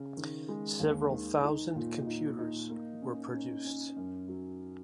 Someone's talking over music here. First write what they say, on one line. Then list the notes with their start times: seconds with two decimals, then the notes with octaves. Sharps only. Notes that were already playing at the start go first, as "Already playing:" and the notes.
Several thousand computers were produced.
Already playing: C#3
0.17 D#3
0.48 G#3
0.80 D#2
1.12 D#3
1.44 D#4
1.75 A#2
2.07 D#4
2.39 D#4
2.70 A#3
3.02 C#4
3.34 C#4
3.65 C#4
3.96 F#2
4.28 F#3